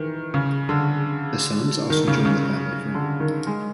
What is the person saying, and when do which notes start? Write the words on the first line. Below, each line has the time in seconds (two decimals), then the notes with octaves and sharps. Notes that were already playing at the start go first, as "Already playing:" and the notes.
The sons also joined the family firm.
Already playing: D#3 E3
0.34 C#3
0.69 D3
1.90 D#3
2.07 C#3
2.25 C#3
2.95 D3
3.20 D#3
3.47 G#3